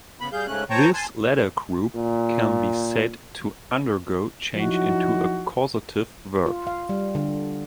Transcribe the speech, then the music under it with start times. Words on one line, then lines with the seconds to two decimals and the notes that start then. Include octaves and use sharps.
This latter group can be said to undergo change into a causative verb.
0.21 C#3 B3 B5
0.32 G3 G#4 F5 G6
0.47 G#2 C#3 A3 C#4 F#6
0.70 C5 C#5 G5 A5 A#5 C#6
0.94 G#5 A5 C6
1.96 A#2
4.54 F3 F#3 D#4 E4 F#4
6.46 F4
6.67 F5
6.89 G3
7.15 D3